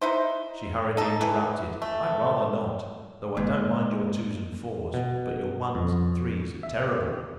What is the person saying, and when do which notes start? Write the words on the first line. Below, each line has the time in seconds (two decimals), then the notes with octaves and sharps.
She hurriedly interrupted: "I'd rather not; though I don't mind your twos and fours; but your ones and threes are terrible!"
0.02 D#4 E4 C5
0.97 D#4 A4
1.21 E3 E4
1.82 A3
3.37 G#2 A#3
4.94 B2
5.75 F2
6.63 E5